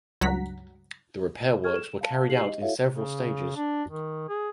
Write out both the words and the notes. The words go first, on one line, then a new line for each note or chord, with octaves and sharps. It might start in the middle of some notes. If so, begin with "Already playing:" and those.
The repair works were carried out in several stages.
C#2 G2 F#3 F#5 A#5 B6
G#4 A4 C#6 F6 G#6
E7
F5 A5
D#4 G4 G#4 F5 C7 F#7
D#5
E4 F#4 A4 C#5 E5 F5
C#3
D4
D#3
G#4